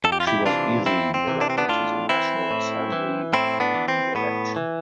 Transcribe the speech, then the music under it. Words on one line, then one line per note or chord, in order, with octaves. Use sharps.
She was easily elected to the National Assembly in the election.
F2 A4
G4
F4
E4 G4
C3 E3 D4 F4
F2 C4 E4
C4
C3 E3
D4
C4
B3 D4
A2 D4 F4
E3 C4 E4
A2
E3
A2 C4 E4
B3 D4
E3
C4
A2 B3
E3